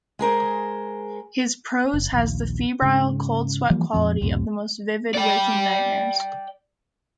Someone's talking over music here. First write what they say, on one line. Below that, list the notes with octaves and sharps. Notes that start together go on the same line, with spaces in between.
His prose has the febrile, cold-sweat quality of the most vivid waking nightmares.
G#3 G#4 A#4 C5
F#1
A#1 D#2
G#2 C#3
E3 F3 G3 A#3
F2 A#2 F3 C4
C#2 F#2 A2 C3
D5 G5